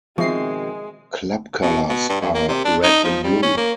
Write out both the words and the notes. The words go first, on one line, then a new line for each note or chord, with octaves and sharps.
Club colours are red and blue.
B2 D#3 F3 G#3 C4 G#4 E5 C7
B2
B2
G2
F#2
A#3
C3
D4
D#4
F3
G3
C#4
A#3